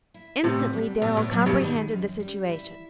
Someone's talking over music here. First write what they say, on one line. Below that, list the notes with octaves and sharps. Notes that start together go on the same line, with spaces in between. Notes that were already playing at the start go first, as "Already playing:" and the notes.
Instantly Darrell comprehended the situation.
E4
A2 C3 B3
G3
A2 B3
A2
A2 F#3
G2 B2
D#3
F#2
G3
E4